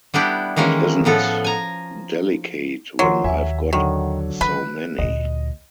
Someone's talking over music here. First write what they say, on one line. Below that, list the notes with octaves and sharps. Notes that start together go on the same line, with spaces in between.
It isn’t delicate when I’ve got so many.
G3 B3 D4 E4 G4
D#3 E3 G#3 A#3 C#4
A2 F3 B3 A4
G#5 A#5
D#3 F3 F#3 C6
D#2 E5 G#5
D3 D#3 F#3
D#3 B4
D2 A#2 D#5